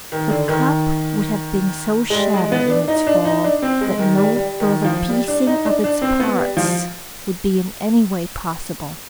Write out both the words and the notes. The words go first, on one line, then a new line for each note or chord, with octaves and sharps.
The cup would have been so shattered in its fall that no further piecing of its parts would be in any way possible.
D#3
D3
D#3
G#3
G3
G#3
B3
D4
D#4
D4
D#4
D4
C4
G#3
D#3
G3
G3
D#3
F3
G3
D4
D#4
D4
D4
C4
B3
G3
F3